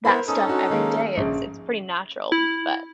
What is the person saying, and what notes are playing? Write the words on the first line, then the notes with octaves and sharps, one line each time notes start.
that stuff every day, it's it's pretty natural, but
B3 E4 A#4 C5 B5
C#4 D#4 A4 D#6
D4 F#4
D#3 G#3 A#3
A#1 C#3
E4